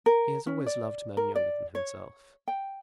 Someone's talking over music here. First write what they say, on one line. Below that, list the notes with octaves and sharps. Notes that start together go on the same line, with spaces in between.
He has always loved men younger than himself.
A#4
C#4
D5
A#4
D5
C#5
G5